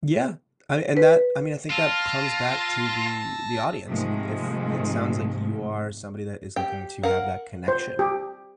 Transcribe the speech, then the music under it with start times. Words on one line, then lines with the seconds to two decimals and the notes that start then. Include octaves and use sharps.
Yeah, I and that I mean, I think that comes back to the the audience, I mean, if it sounds like you are somebody that is looking to have that connection,
0.97 B4
1.71 F4 A5 E6 A#6
3.87 G#2 C3 D#3 F3 G#3 A3
6.56 G4 G5
7.03 A#4 F5 F#5
7.68 C5
7.99 G4